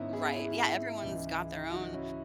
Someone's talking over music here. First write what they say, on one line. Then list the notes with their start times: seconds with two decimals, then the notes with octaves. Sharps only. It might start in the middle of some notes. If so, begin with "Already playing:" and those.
Right, yeah, everyone's got their own
Already playing: G#2 D#3 B3 C#4 D#4 E4
0.13 E4 G#4
0.35 E4 G#4
1.03 C#2 C#3 E3
1.70 D#4 F#4
1.93 C#4 E4